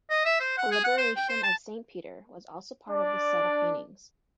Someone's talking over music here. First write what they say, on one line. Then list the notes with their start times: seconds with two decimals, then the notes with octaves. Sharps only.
A "Liberation of Saint Peter" was also part of this set of paintings.
0.10 D#5
0.25 E5
0.41 C5
0.58 F#5
0.71 G#4
0.84 F#5
0.98 C5
1.16 G5
1.29 C5
1.43 A5
2.89 D4 D5